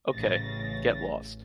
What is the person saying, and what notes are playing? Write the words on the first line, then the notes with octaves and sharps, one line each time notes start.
Ok, get lost.
A1 C#3 A6 A#6